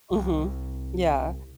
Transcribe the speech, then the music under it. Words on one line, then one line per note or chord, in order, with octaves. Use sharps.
Mhm. Yeah.
C2